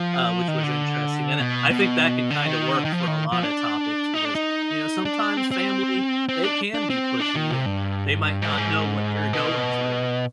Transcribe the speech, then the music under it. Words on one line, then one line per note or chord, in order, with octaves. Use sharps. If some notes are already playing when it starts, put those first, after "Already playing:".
Uh, which was interesting, and, I I think that could kinda work for a lotta topics, because, you know, sometimes family, they can be pushy, and they might not know what you're going through.
Already playing: F3
D#3
D3
B2
B2
D3
D#3
D3
D#3
F3
D#3
F3
D4
D#4
D4
D#4
D4
C4
C4
C4
D4
D4
C4
D4
D#3
C3
G2
G#2
G2
G#2
B2